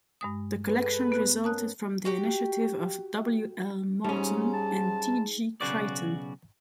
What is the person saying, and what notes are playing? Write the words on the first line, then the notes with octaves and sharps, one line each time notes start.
The collection resulted from the initiative of W. L. Morton and D. G. Creighton.
G2 G#3 D#6
G#4 A4 B4
B3 F#6
B3 C#4 A#4 A5 D#6 F#6
F#4 G4 G5
G#2 G3 C#4
A5
B1 C#3 F#4 D5